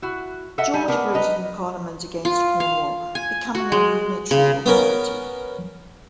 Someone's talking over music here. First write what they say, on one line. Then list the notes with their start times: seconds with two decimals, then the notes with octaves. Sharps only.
George voted in Parliament against Cornwall becoming a Unitary Authority.
0.02 E4 F#4
0.58 A4 D#5 E5 F#5
0.74 G3 G#5
0.88 B3 D4 A#4
1.14 B4 D#5 A#5
2.25 F4
2.60 F5
3.15 G#5
3.55 F#4
3.72 G#3
4.31 C#3
4.66 B3 C#4 A#4